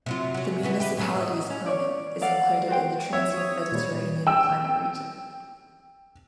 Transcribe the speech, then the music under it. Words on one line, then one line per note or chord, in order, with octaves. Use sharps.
The municipality's climate is included in the transient-Mediterranean climate region.
C3 F#3 F4
F#3 C#4
C#3 E3 B3
G4 B4
A2 F#3 C#4
D#5
C#4
C#5 D5
A4 D5 F5 F#5
F#4 C5 G5
C#5 E5
D#6
A#2 D#3 G3
G5 E6